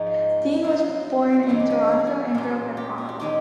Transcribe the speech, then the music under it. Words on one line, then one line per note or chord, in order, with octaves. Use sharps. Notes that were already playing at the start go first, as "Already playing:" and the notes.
Dean was born in Toronto and grew up in Ottawa.
Already playing: G#2 F3 G#3 D#4
B2 F#3 F4
F#4
G2 E3 G#3 F4
G4
C#4
G#4
A4
G#4
A#2 F#3
G4
F#4
G4
D#3 G#3 G4